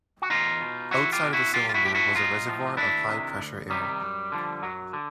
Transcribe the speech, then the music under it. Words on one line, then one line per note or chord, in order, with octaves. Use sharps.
Outside of the cylinder was a reservoir of high-pressure air.
F#4
E2 D#4 F4
B2
E2 E4 F#4
F4 G4
B2
E4 F#4
B1 F4 G4
F4
E4 F#4
A2 F3 G4
E4 F#4
B1 D#4 F4
A2 F3
D2 D4 E4
C3 D#3
D2
C3 D#3 G3
F#2
D3 F3
F#2 F#3
D3